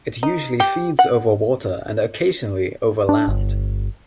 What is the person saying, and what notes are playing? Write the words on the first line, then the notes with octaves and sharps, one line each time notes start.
It usually feeds over water and occasionally over land.
D#4
G4
F#5
D4
G1